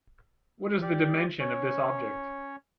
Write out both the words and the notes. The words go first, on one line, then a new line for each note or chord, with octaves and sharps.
What is the dimension of this object?
G4 D5
C#4 C#5